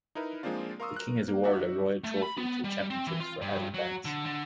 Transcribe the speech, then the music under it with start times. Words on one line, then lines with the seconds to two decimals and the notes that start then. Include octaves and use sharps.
The King has awarded a royal trophy to the championships for adult bands.
0.15 D#4 E4 A#4 B4
0.43 F3 G#3 A#3 C4 D4 F4
0.80 A#4 F5 C6 C#6 D#6 E6
0.96 A#4 F#6
1.28 A#3
1.43 D#4 F#4 D5 E5 F#5
2.04 A3
2.22 B5
2.37 B3
2.64 G3
2.90 C4
3.07 E3
3.20 F4
3.42 G2
3.74 F#3
4.05 D3
4.26 D3